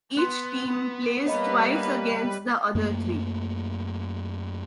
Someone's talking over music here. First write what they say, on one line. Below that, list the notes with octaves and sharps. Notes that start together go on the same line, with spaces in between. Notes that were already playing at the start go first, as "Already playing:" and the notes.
Each team plays twice against the other three.
B3 C6 F#6
G3 A#3 B4 C#5 D#5 B5
F#2 A3 A#3